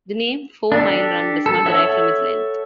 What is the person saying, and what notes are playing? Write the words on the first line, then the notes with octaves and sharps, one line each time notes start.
The name Four Mile Run does not derive from its length.
D4 G4 A4
A4
A4 C#5 E5 F#5 E6